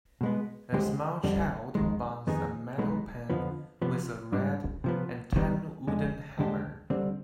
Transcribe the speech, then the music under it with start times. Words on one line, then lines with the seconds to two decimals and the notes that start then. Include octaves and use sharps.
A small child bangs a metal pan with a red and tan wooden hammer.
0.21 B2 G#3 B3
0.73 D#2 D3 G#3 C4 G4
1.24 F2 D3 G3
1.75 F2 D#3 G#3
2.27 F2 D#3 B3 D#4 G#4
2.78 B1 B2 G#3 B3 D#4
3.30 F2 D3 F3 B3
3.82 C3 F3 B3
4.32 G#2 G3 D4
4.84 C3 F3 B3
5.36 D#3 G3 B3
5.87 F2 D3 G#3
6.39 D#2 D3 G#3 D4 G4
6.90 D2 D3 G3 C4